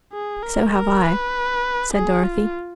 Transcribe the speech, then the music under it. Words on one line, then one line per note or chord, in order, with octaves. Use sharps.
"So have I," said Dorothy.
G#4
A#4
A#4
B4
G#4
F4